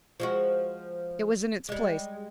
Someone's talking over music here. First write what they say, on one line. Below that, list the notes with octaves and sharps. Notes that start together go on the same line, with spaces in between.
It was in its place.
F3 G#3 F#4
G3 G#3